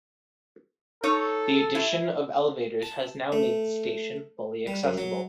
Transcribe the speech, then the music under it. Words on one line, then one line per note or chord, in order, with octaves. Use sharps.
The addition of elevators has now made the station fully accessible.
D#4 A4 C#5
E4
A5
A3
G3
F#2
F#3